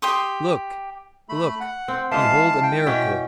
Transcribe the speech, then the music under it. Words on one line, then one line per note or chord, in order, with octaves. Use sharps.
'Look! look! behold a miracle!
G4 C6 D#6
A3 B5
F#5
C4
E3 G#3 F5 A5
G5
B2 E3 C#4